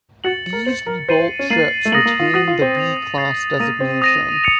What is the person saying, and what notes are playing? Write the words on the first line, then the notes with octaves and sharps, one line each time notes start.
These rebuilt ships retained the V-class designation.
F#4 A6 C#7 F#7
A#4
C5 A6 C#7 F#7
A#4
C5 A6 C7 D#7 F#7
C5
C#4
A#3 A6 C7 D#7 F#7
A3
A#3 D#6 A#6 D#7 F#7
A#3
F4
F#4 D#6 A#6 D#7 F#7
F4
C4
A6 C7 F7
A6 C7 F7
A#3 D#6 A#6 D#7
C4
D#6 A#6 D#7
A#6 C#7 F7